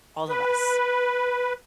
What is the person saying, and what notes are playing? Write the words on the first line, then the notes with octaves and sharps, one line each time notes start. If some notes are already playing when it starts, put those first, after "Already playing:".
all of us?
B4